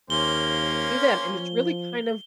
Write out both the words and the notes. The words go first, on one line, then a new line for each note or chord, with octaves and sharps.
do that, and it's really kind of,
D#2 A#3 C#4 C5 G7
F3